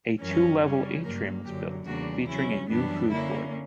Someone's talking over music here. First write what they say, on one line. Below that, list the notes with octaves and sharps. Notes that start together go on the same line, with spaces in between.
A two level atrium was built, featuring a new food court.
F#2 E3 G3 C#4 A#4
C#3 G3 C#4
G2 F#3 A#3 A#4
F#2 D3 F#3 G4
E2 C#3 G3 A#3 D4 F#4
C#3 F#3 C#4 E4
F#2 E3 G3 B3 D4
D3 A#3 C#4 E4